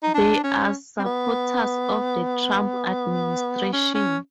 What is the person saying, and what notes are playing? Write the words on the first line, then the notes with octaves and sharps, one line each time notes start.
They are supporters of the Trump administration.
D#4
D4
C#4
C4
B3
C#4
C#4